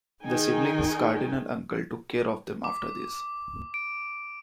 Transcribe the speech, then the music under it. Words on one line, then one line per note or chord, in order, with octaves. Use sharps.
The siblings' cardinal uncle took care of them after this.
D#3 D#4 G#4 G5 G#5
D6
D7